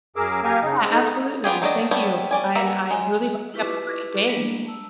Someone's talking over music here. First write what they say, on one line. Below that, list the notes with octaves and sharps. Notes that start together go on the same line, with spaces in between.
Yeah, absolutely. Thank you, and I really hope you have a great day.
F#2 G#4 A#4 D6 E6
A#3 G4 A#4 F5 G#5
C#3 D#4
G#3 C4
A3 D#4
B3 F4 G4 G#4
F#3 A3 D4 A#4 D#5
G3 A3 B3 C#5
C#4 D5 G#5
A#3 B4 E5 F#5 A#5
G#3
E4 F4 G4 B4 C#6 D6
G3 G#3 A#3 B3 D4
A5 E6